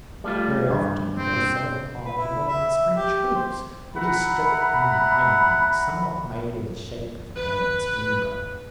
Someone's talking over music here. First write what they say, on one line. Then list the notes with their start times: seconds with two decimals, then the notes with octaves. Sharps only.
Very often, also, upon the women's French hoods would he stick in the hind part somewhat made in the shape of a man's member.
0.24 G3 A3 F4
0.68 G2
1.17 C4
2.04 B4
2.17 E4
2.47 E5
2.95 G4
3.35 C5
3.95 E5 F#5 A#5 B5
7.37 B4